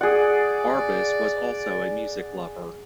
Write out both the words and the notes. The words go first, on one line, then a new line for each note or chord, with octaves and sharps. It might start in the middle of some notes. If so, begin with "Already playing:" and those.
Arbus was also a music lover.
G#4 D5 F#5